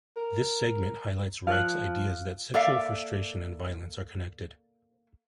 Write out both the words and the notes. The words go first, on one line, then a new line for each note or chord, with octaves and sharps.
This segment highlights Reich's ideas that sexual frustration and violence are connected.
A#4
F3 F5 F#6
A#3 A4 D5 E5 F5